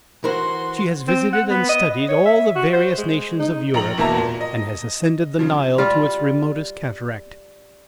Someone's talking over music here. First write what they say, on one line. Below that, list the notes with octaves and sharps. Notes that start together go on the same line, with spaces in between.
She has visited and studied all the various nations of Europe, and has ascended the Nile to its remotest cataract.
E3 F#4 A#4 C5 C6
C4
F#5
B3
D#5
D#5
C#5
E5
F#4
C5
G#3
D#4
A#1 A#5 F#7
E2 B2 A#3 E5 A5 A#5
A#2
D#5
C#3 F3
G3 F4